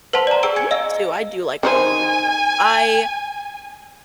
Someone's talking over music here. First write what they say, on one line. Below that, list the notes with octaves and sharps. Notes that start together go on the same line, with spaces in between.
Me too, I do like lemon pepper, I
B4 C5 F#5 A5 C6
D5 A#5
G#4 G5 E6 D7 G7
G#5 G#6 C#7
D#5 F5 E6
D#3 D#4 C5 G#5